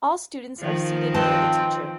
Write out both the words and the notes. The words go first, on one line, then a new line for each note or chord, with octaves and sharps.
All students are seated near the teacher.
D#3 F3
C4 B4 D#5 A5